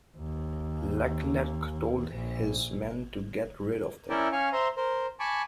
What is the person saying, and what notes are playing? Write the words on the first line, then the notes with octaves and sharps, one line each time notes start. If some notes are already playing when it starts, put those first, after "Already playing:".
Leclerc told his men to get rid of them.
D#2
A#1
C#4 E4 A#4 D5 E5 G5
C#4 F5 G#5 C#6
C5 E5 A#5 C6
A#4 C5
G#5 A5 B5 C#6 D6